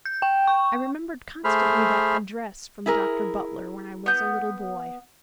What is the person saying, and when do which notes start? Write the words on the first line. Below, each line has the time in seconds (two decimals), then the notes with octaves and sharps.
I remembered constantly that address from Dr. Butler when I was a little boy.
0.05 G6
0.22 G5
0.47 C#6
1.44 A3 G#4 C5 B5 F6
2.86 E4 G#4 A#4
4.06 B3 G6